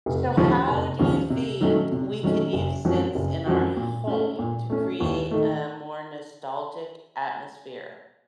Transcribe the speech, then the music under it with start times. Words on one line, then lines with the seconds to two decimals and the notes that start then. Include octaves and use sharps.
So how do you think we can use scents in our home to create a more nostalgic atmosphere?
0.06 F1
0.37 D#2 C#3 F3
0.68 F1
0.99 D#2 C#3 F3
1.30 C3
1.61 D#3 F#3 A3 C#4
1.92 C3
2.23 D#3 F#3 A3 C#4
2.53 F#1
2.85 F#2 F3 C4 F#4
3.15 F#1
3.46 F#2 F3 C4 F#4
3.77 A#2
4.07 A3 C#4
4.39 A#2
4.70 A3 C#4
5.00 D#2
5.31 D#3 A3